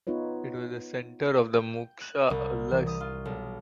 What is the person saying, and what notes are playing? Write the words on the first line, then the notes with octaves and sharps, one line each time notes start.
It was a center of Mukhsha Ulus.
B3 D#4 F4 B4 C#5
G5
F#6
C2
E3
D#6
F4
B1